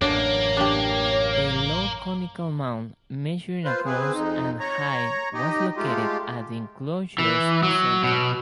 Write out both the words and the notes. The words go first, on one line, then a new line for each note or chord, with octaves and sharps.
A low conical mound measuring across and high was located at the enclosures center.
A1 F#2 A#3 D4 C#5
D4 G4
F4 B4 C5
C4 G#4 B4
F2 D#4
C#5 A#5
D#4 G4 D#5
G#3 A3 F4 G4
E3
F#3
B2